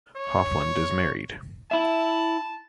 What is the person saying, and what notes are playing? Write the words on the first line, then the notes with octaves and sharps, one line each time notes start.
Hofland is married.
C#5
E4 E5 A5